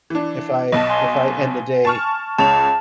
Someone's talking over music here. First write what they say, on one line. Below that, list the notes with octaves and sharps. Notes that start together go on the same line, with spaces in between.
if I if I end the day
E3 D4
B1 B2 D#5 A5
G#5 C6
A5 C#6 F6
C#2 C#5 A5 F7